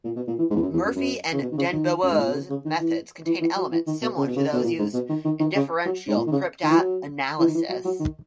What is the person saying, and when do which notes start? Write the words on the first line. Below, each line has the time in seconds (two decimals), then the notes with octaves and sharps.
Murphy and den Boer's methods contain elements similar to those used in differential cryptanalysis.
0.04 A#2
0.16 B2
0.27 A#2
0.38 E3
0.50 G#2
0.56 E2
0.62 F#2
0.73 E2
0.85 F#2
0.96 F#2
1.33 C#3
1.42 B2
1.52 D#3
1.58 C#3
1.72 D#3
2.03 F#2
2.11 G#2
2.18 A#2
2.27 B2
2.34 C#3
2.50 C#3
2.65 D#3
2.80 E3
3.26 E3
3.41 E3
3.56 F#3
3.72 E3
3.87 D#3
4.02 B2
4.17 C#3
4.27 B2
4.36 C#3
4.53 B2
4.63 A#2
4.78 G#2
4.94 B2
5.09 D#3
5.25 D#3
5.40 D#3
5.55 C#3
5.86 F#3
6.08 G#2
6.16 A#2
6.27 D#3
6.32 C#3
6.63 D#3
6.70 E3
6.78 F#3
7.39 E3
7.47 D#3
7.55 E3
7.69 F#3
7.85 F#3
7.99 D#3